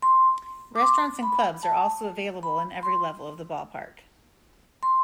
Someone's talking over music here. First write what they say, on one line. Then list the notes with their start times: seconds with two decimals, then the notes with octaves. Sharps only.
Restaurants and clubs are also available in every level of the ballpark.
0.02 C6
0.76 D6
0.82 C6
1.23 B5
1.63 A5
2.43 B5
2.83 C6
4.83 C6